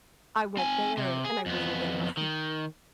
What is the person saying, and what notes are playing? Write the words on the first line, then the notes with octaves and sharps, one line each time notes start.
I went there and I waited in line.
C4 G#5
C3
G#4
F2 B3
D#3